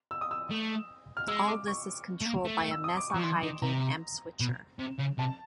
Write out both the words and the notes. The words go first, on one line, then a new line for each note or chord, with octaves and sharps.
All this is controlled by a Mesa high gain amp switcher.
E6
D#6
E6
A3
F6
G#3 E6
D6
C#6
A3
A#3
A3
E6
D#6
D6
F3 C#6
E3 C6
D#3
C3 A#5
B2
C3
C#3
C3 A5